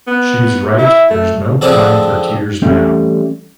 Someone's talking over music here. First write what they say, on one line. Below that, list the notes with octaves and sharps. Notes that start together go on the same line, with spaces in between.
She's right; there's no time for tears now.
B3
E4
A3
D3 F3 C4 D4 G#4
E3 G3 A3 C4 C#4